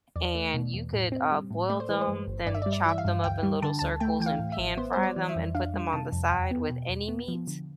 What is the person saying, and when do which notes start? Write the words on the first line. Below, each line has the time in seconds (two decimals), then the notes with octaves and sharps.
and you could, uh, boil them, then chop them up in little circles and pan-fry them and put them on the side with any meat,
0.16 E2 D5
0.35 A3
0.54 B2
0.74 E2
0.93 A2
1.12 C4
1.31 G3
1.51 A2
1.70 A3 D5
1.80 C5
1.89 E3 B4
2.01 C5
2.08 G2
2.27 G1
2.47 G2 D5
2.54 E5
2.62 D5
2.66 G3
2.73 D5
2.86 E3 E5
2.98 F5
3.05 G2
3.24 D2 G5
3.43 G3
3.62 D3 A5
3.79 D2 A5
4.00 A3 G5
4.20 E3 G5
4.26 F5
4.39 A2
4.52 E5
4.58 A1
4.77 B3 C5
4.93 G3 C5
5.03 D5
5.16 E3
5.29 E5
5.36 F2
5.55 D4 F5
5.74 G3
5.93 C3 A5
6.12 F2
6.31 E2 G5
6.51 B3
6.70 B2
6.89 E2
7.08 B3
7.28 F3
7.47 D3